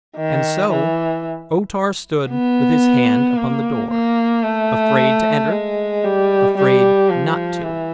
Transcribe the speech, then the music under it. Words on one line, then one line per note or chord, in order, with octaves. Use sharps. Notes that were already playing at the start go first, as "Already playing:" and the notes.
And so O-Tar stood with his hand upon the door--afraid to enter; afraid not to.
D#3
E3
B3
A#3
A#3
A3
G#3
G3
G3
F3
E3